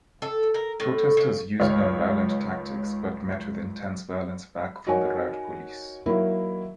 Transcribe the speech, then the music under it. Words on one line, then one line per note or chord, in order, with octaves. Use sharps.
Protesters used nonviolent tactics but met with intense violence back from the riot police.
A4
A#4
A2
C#3
C#2 D#3 C#5 F6
D#4 F#4 A#4 C#5 G#5
D#3 F#3 A#3 E4 A#4